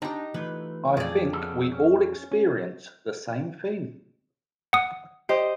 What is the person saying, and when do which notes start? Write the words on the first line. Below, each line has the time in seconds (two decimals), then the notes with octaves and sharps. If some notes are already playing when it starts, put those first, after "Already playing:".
I think we all experience the same thing.
0.02 D4 D#4 G4 G5 A5
0.34 E3 A3 F4 B4
0.97 F2 G#4 D5
1.33 B3 C#4 A4
1.72 C#4
2.31 C#4
4.73 F#5 D#6
5.29 G4 C5 D#5